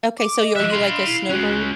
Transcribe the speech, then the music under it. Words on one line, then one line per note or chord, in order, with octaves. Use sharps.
Okay, so you're are you like a snowbird
D6
D#5
F3 E5 F#6
F5 B5 C6
E4 C7
G#3 C#4 F#4 F#6